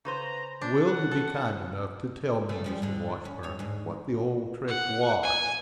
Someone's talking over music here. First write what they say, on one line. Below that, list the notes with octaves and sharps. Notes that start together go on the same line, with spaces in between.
"Will you be kind enough to tell me, Mr. Washburn, what the old trick was?"
C#3 B4 C5 A#5
D4 G6
F#5
A4
C#3 A3 G#4
F3 G3 C#4
G#2 D3
C#4
G2 C#5
D2 G#2
F#5
G#5